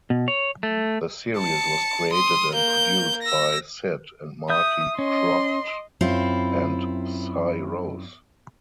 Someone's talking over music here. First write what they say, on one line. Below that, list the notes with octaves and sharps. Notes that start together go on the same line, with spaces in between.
The series was created and produced by Sid and Marty Krofft and Si Rose.
B2
C#5
A3
A5 C#7
C6 D#6
A#3 G6
E6 A#6
E5 D#6 G6
C#4 D#5 C6
F#2 C4 E4 F4